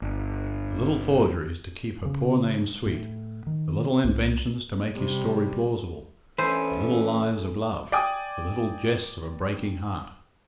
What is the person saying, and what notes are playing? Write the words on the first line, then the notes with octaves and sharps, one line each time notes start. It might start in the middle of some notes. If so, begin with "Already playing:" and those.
The little forgeries' to keep her poor name sweet, the little inventions to make his story plausible, the little lies of love, the little jests of a breaking heart!
G1
C#3
A2
D#3
C2
C3 G3
E3 C#4 A4 C5 G#5 B5
D5 G5 G#5 D#6